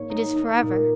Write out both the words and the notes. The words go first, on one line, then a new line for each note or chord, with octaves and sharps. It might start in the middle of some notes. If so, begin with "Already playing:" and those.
It is for ever.
Already playing: G#2 D#3 A#3 C#5
D#4
D#4
A#2